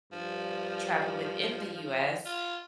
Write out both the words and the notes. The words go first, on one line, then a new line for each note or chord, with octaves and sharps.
traveled within the US,
G2 F3
F4